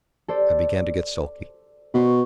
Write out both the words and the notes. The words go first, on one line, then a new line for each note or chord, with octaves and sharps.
I began to get sulky.
A4 C5 D5
B2 B4 C5 C#6